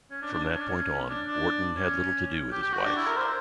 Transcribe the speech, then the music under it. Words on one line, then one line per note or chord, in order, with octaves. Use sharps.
From that point on, Wharton had little to do with his wife.
C#4
D4
D4
D4
C#4
D4
C#4
D4
D4
C#4
G4
G4
F#4
D4
E4
A#4
C5